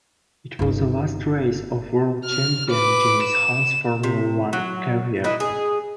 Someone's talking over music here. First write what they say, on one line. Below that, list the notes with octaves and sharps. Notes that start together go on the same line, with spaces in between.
It was the last race of World Champion James Hunt's Formula One career.
G1 D#4
F6
B4 D6
E7
C3
F#3
E3 D#4 E4
G#4